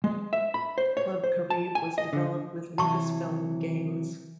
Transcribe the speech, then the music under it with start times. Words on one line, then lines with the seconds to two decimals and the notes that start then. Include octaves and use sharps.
Club Caribe was developed with Lucasfilm Games.
0.04 G#3
0.33 E5
0.54 B5
0.78 C5
0.97 C#5
1.24 C5
1.50 A5
1.75 G#5
1.98 D#5
2.13 D3
2.78 C3 E3 F#3 A5 C#6